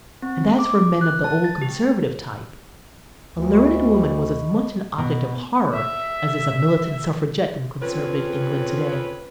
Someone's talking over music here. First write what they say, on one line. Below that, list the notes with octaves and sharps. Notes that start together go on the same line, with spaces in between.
And as for men of the old conservative type, a learned woman was as much an object of horror as is a militant suffragette in conservative England to-day.
C4
D6
F#6
A5
A6
G4
D2
D#5 B5 C#6
B2
E5
F2 C4 C#4 B4